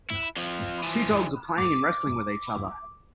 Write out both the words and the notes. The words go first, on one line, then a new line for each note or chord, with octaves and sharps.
Two dogs are playing and wrestling with each other.
E4
F2 F3
E3 F3
D6